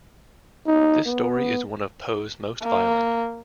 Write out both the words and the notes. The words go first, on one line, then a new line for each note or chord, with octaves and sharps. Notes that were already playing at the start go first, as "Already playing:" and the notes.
This story is one of Poe's most violent.
D#4
B3
A#3